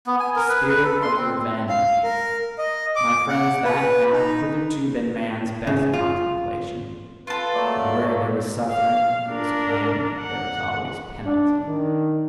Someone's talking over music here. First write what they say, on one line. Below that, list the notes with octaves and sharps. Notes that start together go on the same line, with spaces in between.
THE SPIRIT OF REVENGE: my friends, that hath hitherto been man's best contemplation; and where there was suffering, it was claimed there was always penalty.
B3
G#5
A#4
B4
B4
A4
C6
C4
F5
A#4
D#5
D6
F#5
B4
D#4
C#3
F4
F4 A4 B4
F#3 A3 A#3 D5
F5
D4 A#4
F#5
D4
D#3